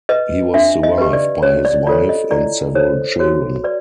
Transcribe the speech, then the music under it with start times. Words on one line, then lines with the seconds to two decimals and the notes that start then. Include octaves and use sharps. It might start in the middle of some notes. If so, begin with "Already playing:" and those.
He was survived by his wife and several children.
0.09 B4 D#5
0.54 D4 E5
0.83 D#5
0.98 G4 B4
1.13 D5
1.43 C#4 C#5
1.65 D5
1.87 F4 A4 C#5 D5
2.09 D#5
2.31 E4 D5
2.75 A4 C5 C#5
3.19 F#4 C#5
3.64 B4 D5